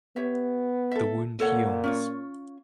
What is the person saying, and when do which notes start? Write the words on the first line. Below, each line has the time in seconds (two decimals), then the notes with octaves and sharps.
The wound heals.
0.16 B3 G4 C#5 E5
0.91 A4 E5
1.40 A#2 A4 C#5 F#5
1.84 C#4 F4 C#5